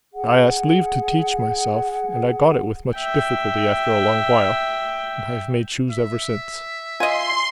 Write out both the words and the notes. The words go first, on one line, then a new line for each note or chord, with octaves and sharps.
"I asked leave to teach myself, and I got it with much difficulty after a long while, and I have made shoes ever since."
G#4 F#5
E5 G5
E5
F4 D#5 G#5 C6